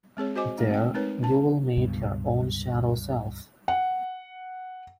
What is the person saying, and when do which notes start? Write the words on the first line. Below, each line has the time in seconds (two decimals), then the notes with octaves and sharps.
There, you will meet your own shadow self.
0.17 G#3 C4 G#4 C#5
0.36 F#4 C5 D#5 G#5 D6
0.58 G#3 A3 D#4
0.70 C4 G5
0.94 G#3 C4 D#4 A#4 B4 C#5
1.23 C#4 A5
1.77 C#2 G2 B2
3.68 F#5